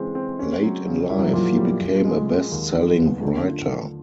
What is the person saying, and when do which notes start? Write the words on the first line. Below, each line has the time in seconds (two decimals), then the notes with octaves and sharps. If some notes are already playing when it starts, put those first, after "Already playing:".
Late in life, he became a best-selling writer.
Already playing: C#3 E3 G#3 C4
0.15 C4
0.39 C#4
0.63 F#3
0.87 C#3
1.10 G3 E4
1.19 F#3
1.28 F3
1.33 A#2 F#3
1.57 G3
1.81 A#2
2.05 G#3
2.28 G#3
2.52 D#2
2.76 D#3
2.99 B3
3.22 D3 A3
3.46 F4
3.70 D4